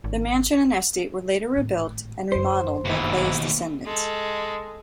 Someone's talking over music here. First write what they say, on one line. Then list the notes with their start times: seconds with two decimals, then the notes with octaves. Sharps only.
The mansion and estate were later rebuilt and remodeled by Clay's descendants.
0.04 G#1
1.53 G#1 A2
2.32 G1 F#2 C5
2.85 A#1 D#2 G#2 B2 E3
3.85 G#3 A4